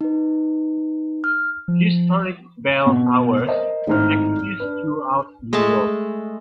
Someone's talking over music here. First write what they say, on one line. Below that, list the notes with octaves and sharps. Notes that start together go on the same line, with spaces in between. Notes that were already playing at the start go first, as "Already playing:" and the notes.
Historic bell towers exist throughout Europe.
D#4 B4
F6
F3
B2
A#4 C5 D#5
G#1 A2 D#4 C5 F6
D4 B4
G#3 A3 G#4 A5